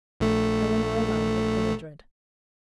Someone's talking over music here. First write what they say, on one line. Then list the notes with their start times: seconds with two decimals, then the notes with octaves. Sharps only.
Eleanor alone looked belligerent.
0.20 A#1 A3